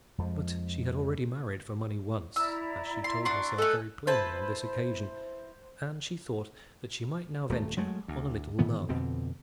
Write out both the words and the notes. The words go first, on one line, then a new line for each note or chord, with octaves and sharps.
But she had already married for money once, as she told herself very plainly on this occasion, and she thought that she might now venture on a little love.
F2 F3 G#3
E4 D5 A#5 E6
C6
D4 F#4 C6
A3 A4 D#5 G#5 E6 F#6
E4 B4 C5 A5
D#1 A3
F#3 G#3 A3
D2
G#2 D#3 E3 B3
F2 B2 D3 C4